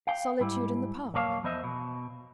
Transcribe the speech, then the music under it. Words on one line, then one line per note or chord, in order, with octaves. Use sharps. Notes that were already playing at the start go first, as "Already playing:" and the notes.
Solitude in the Park!
F5 G5
G#2 G3 E4
B1 F2 A#3 C#5 F5 A5
E2 F3 B3 C5 D#5 E5
B2